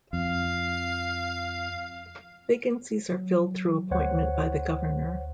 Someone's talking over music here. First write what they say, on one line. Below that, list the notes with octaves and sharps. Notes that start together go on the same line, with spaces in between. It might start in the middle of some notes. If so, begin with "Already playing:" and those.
Vacancies are filled through appointment by the Governor.
F2 F5
F#3
D2 C5 C#5 F#5